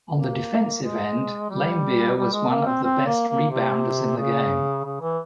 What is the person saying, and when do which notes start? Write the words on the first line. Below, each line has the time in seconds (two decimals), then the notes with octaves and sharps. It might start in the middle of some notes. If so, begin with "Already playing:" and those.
On the defensive end, Laimbeer was one of the best rebounders in the game.
0.15 A#3
0.82 G#3
1.50 G3
2.16 G3
2.33 G#3
2.50 A#3
2.66 C4
2.84 C4
3.06 A#3
3.28 A#3
3.50 C3
4.17 C#3
4.85 C#3
5.01 E3